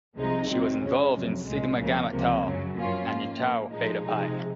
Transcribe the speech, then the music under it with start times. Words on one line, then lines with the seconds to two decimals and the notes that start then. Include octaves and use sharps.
She was involved in Sigma Gamma Tau and Tau Beta Pi.
0.16 C2 C3 F3 G#3 D#4
0.48 C2 C3 D#3 F#3 C4
0.80 F2 C#3 F3 G#3 C#4
1.13 F2 C3 F#3
1.45 C2 A#2 G#3
1.78 C#2 C#3 F3 A#3
2.10 C#2 C3 F3 A#3
2.43 F#2 C#3 F#3
2.75 F#2 F3 A#3 C#4 F4
3.07 G#2 F3 A#3 F4
3.40 A#2 F3 A#3
3.72 A#2 F3 G#3 D#4
4.05 C3 F3 G#3 D#4